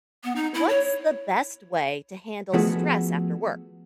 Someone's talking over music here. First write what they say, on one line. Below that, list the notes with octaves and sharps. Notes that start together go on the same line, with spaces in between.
What's the best way to handle stress after work?
B3
D#4
E4
C#5
F3 A3 B3 F#4 G#4 A4